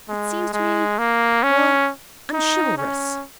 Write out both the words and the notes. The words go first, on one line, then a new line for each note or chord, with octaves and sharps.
It seems to me--well--unchivalrous.'
G#3
G#3
A#3
C#4
D#4
C#4